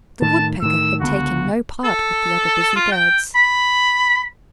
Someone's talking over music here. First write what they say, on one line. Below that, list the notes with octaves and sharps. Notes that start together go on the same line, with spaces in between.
The Woodpecker had taken no part with the other busy birds.
A2 D#3 A5
A2 D#3 E6
C#2 D3 B3 F#4
A4
F4
G5
B5